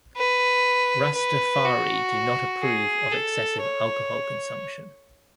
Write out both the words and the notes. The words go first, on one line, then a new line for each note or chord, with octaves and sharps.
Rastafari do not approve of excessive alcohol consumption.
B4
B4
F#4
G#4
A4
C#5